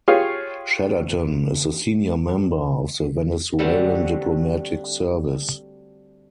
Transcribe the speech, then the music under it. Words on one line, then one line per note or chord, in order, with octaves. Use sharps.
Chaderton is a senior member of the Venezuelan Diplomatic Service.
F4 G4 G#4 C#5 F5
D3 G3 A3 C4 F#4